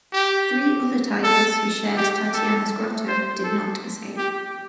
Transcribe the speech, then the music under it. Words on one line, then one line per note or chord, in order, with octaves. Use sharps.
Three other tigers who shared Tatiana's grotto did not escape.
G4
A4
G4
A4
C5
A4
G4